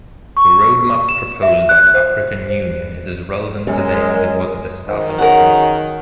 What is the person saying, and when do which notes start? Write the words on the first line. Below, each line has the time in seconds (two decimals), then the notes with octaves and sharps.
The roadmap proposed by the African Union is as relevant today as it was at the start of the conflict.
0.37 C#6
1.09 E7
1.43 E5
1.69 F#6
1.94 C5
3.67 F#2 G#3 A#4
4.87 G#2 D#3
5.18 C#4 F#4 G#4 A#4 F#5